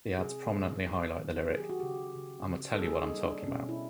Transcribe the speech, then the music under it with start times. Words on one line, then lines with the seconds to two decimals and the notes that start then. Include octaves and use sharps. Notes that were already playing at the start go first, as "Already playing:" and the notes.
The ads prominently highlight the lyric, I'ma tell you what I'm talkin' 'bout.
0.19 C3 G#4
0.51 G#3
0.84 D#3
1.17 D#3
1.50 F#3 G#4
1.59 G4
1.70 F#4
1.80 C#3 G4
2.15 C#3
2.48 C#3
2.74 A4
2.81 A#3 G#4
3.03 D#4
3.14 G3
3.25 D4
3.46 B2 C#4
3.69 E4